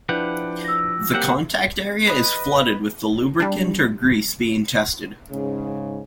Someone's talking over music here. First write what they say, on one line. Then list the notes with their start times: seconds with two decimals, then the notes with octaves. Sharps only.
The contact area is flooded with the lubricant or grease being tested.
0.09 F3 D4 E4 G4 B4 F#5
0.64 E6 A#6
1.14 F#3 A#3 C4 G4 F#5 G6
2.07 B4 D#5
3.40 G3 D4
5.30 G#2 C#3